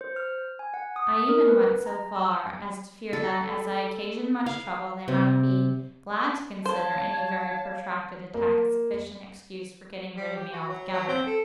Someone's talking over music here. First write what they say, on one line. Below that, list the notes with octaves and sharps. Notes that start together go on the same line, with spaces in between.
I even went so far as to fear that, as I occasioned much trouble, they might be glad to consider any very protracted attack as sufficient excuse for getting rid of me altogether.
C5
F6
G#5
F#5
D#6
A#4
B4
A#5
E6
A4
F5
C3
C5 C#5 F5 A5
A#3
G3
G4
F#4
F#3
F#3
C4
A4